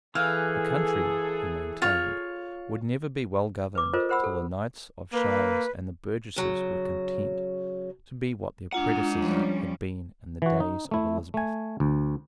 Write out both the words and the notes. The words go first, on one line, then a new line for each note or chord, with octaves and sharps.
The country, he maintained, would never be well governed till the knights of shires and the burgesses were content to be what their predecessors had been in the days of Elizabeth.
E3 G#4 A4 F5
F4 C#5
B4 D6
F4 A4 A#4 C5 D#5
A#4 C5 F#5 B5 E6
A4
A#3 B4
C#3 F#3
G#3 D4 F4 F#5 A#5
F3 G3 C#4
E3 F#4
D#4
A3 E4
A3 G#5
D2